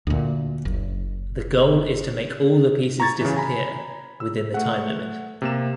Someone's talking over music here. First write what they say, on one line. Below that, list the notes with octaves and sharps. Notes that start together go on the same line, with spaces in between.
The goal is to make all the pieces disappear within the time limit.
D2 A#2
F#1
A#5 C#6 G#6 A6
C#3 E3
G#5 A#5 B5
E6
A3 F#5
C3 A#3 E7